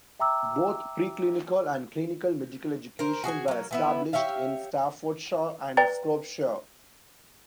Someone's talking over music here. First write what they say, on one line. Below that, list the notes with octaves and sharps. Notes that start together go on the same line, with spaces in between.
Both pre-clinical and clinical medical education were established in Staffordshire and Shropshire.
E5 G5 A#5 D6 E6
A#4 C5
F#4 G#4 F#5 G#5
F#3 A#3
E3 B3 E4
G4 C#5 E5 F5
B4 D5 G5 A#5 A6